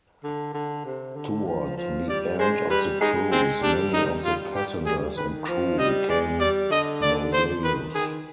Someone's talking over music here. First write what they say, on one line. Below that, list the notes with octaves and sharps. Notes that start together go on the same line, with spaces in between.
Toward the end of the cruise, many of the passengers and crew became nauseous.
D3
D3
C3
D3
F3
F3
G3 D5
G#3 C5
G3 B4
G#3 D#4
G#3 C4
G3 D4
G3 D#4
G3 F4
G3 G4
G3 G#4
D#3 B4
F3
G3 D#5
G#3 D5
G3 D5
D3 D#5
D5
C5
D#3 B4
D#3 G#4